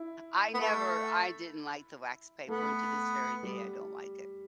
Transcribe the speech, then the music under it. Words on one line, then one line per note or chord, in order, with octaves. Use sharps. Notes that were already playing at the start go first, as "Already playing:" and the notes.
I never I didn't like the wax paper, and to this very day, I don't like it.
Already playing: E4
B3
A3
A3 B3
G3